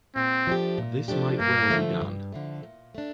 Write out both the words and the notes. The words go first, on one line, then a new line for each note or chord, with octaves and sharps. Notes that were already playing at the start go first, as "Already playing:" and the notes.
This might well be done.
A#2 C4
F3 A3 D4 G4
A#2
F3 A3 D4 G4
G2 A#3
D3 F3 A3
G2
D3 F3 A3
A#2
A3 D4